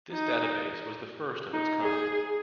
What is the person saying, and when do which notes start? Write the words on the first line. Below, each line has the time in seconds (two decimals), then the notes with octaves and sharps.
This database was the first of its kind.
0.13 D#4
1.53 D#4
1.82 G#4